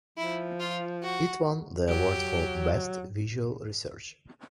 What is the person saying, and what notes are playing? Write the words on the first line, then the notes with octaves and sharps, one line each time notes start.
It won the award for Best Visual Research.
F3 E4
F4
F#4
F#3 G4